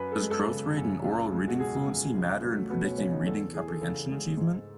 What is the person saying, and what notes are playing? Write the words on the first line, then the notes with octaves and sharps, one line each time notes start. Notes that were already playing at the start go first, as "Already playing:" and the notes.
Does growth rate in oral reading fluency matter in predicting reading comprehension achievement?
Already playing: F#2 B4
A4
G#3
A4
C#3
F#2
C#2
G#3
F#4
B2 G#4
C#2
C#2
F#3
A3
B2 B3
C#4
C#2 C#4
D#4
E2 A4
A4
E3 G#4
A4
C#3 A4
G#3
G#2